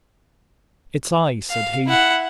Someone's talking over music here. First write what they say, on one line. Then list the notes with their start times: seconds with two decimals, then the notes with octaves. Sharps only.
"It's I," said he.
1.50 F5
1.87 E4 F#5